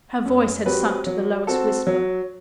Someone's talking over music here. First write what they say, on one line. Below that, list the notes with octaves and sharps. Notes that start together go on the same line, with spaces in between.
Her voice had sunk to the lowest whisper.
F#2
F#3 C4 G4 B4
F#3
C4 F#4 A4
F#3